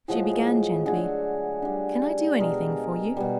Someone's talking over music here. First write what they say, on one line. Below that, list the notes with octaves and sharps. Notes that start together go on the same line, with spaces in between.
She began gently, "Can I do anything for you?"
A2 F3 G#3 F#4 G#4
D3 F#3 A3 F#4 G#4
D3 G3
B2 G#3 G#4 A#4
B2 G3